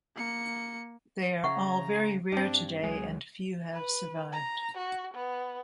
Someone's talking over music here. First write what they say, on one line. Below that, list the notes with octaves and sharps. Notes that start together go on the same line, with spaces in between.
They are all very rare today and few have survived.
A#3 C#7
C#3 E5 F#5 A#5 C#6
G2 G3 C4 D4
D2 F#3 G#3 G#4
B4
A#5
F#4
B3